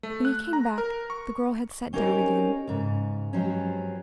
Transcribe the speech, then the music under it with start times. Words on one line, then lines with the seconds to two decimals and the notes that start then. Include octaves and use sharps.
When he came back the girl had sat down again.
0.03 A3
0.25 F#6
0.53 A#5
0.78 A#4
1.10 C#6
1.93 C4 C#4 D#4 G4 A#4 C#5
2.67 G#2 C#3
3.33 G2 F3 F#3 G#3 C4 C#4